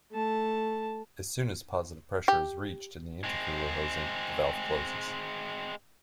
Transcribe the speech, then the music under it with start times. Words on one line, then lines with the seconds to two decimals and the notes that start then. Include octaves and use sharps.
As soon as positive pressure is reached in the intercooler hosing, the valve closes.
0.11 A3 A5
2.28 G4
3.24 G#3 C4